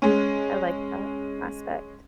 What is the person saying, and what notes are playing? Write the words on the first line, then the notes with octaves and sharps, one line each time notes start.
I like that aspect.
G#3 C#4